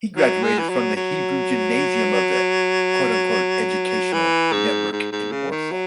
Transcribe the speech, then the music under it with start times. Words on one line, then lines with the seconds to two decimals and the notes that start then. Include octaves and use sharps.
He graduated from the Hebrew Gymnasium of the "Education" network in Warsaw.
0.17 F#3
0.43 G#3
0.59 E3
0.69 F#3
0.96 F#3
4.13 E3
4.53 G#2
4.92 G#2
5.12 G#2
5.32 C#3
5.52 D#3
5.72 F#3